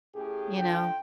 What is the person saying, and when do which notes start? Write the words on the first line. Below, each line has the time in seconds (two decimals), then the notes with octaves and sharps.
You know?
0.15 A2 C#4 G4 G#4
0.57 D3 F4 G5